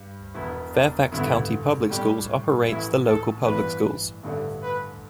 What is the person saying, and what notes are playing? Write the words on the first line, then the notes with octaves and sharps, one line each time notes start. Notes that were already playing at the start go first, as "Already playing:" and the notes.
Fairfax County Public Schools operates the local public schools.
Already playing: G2 G3
E1 E2 B2 B3 E4
D4
A1 G2 D3 B3 E4
A2 G3 D4 G4
A1 A2 E3 E4
A4
G2 E3 B3 D4 B4
A1 G2 D3 A3 D4
B4